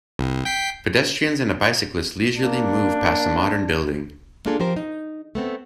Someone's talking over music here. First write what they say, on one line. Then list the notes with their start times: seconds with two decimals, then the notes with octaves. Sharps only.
Pedestrians and a bicyclist leisurely move past a modern building.
0.19 C2
0.45 G5 B6 C7
2.37 A#3 D4
4.46 A#3 D4 F4 G#4 A4
4.60 F3 G4 A#4 C5
4.76 D#4
5.35 A3 B3 C4